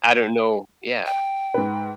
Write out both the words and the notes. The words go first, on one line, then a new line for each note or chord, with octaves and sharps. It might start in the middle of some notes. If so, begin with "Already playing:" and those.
I don't know yeah.
G5
G#2 B4